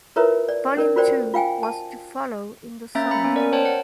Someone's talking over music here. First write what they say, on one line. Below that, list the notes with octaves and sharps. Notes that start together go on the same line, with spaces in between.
Volume Two was to follow in the summer.
E4 F4 A#4 B4 C#5 E5
D5
C#4 A#4 D5
F4 F#4 A#4 C5 D5 G5
F4 F5 G5 G#5
A5
A#3 C#4 E5 A#5 G6 A6
A#5 B5 C#7
A#3 B3 C#4 G#5
A#4 D5
C5 C#5 G5 A5
F#5